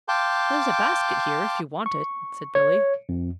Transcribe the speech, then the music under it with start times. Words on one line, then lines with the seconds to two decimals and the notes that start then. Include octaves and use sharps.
"There's a basket here, if you want it," said Billy.
0.08 F5 G5 A5 C6 D6 G6
1.86 C#6
2.55 C#5
3.09 F2